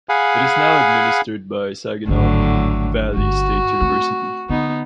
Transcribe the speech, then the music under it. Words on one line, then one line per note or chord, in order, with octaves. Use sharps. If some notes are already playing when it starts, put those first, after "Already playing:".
It is now administered by Saginaw Valley State University.
G#4 F5 F#5 G#5 B5
G#1 F2 A2 D3 F#3
G1 F#4
A3 C4
D3 B3 D#4